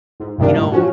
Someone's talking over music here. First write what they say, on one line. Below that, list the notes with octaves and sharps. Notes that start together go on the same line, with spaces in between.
you know,
G#2
G2 C3 D#3 G3 A#3 D4
A2
F3 C#4 F#4